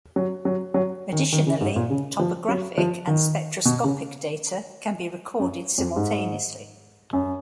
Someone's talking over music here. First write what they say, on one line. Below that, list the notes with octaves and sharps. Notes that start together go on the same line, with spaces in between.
Additionally, topographic and spectroscopic data can be recorded simultaneously.
F#3
F#3
F#3
D#3
D#3
C#3
G#2
A#2
C#3
F3
F#3
F3
D#3
B2
C#3
F#2
F2
G#2
F#2